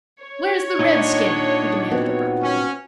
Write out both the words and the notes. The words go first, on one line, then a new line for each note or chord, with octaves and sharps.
"Where is the redskin?" he demanded abruptly.
C#5
A#2 D4 D#4 D#5 F#5
B3 C4 F#4
C#4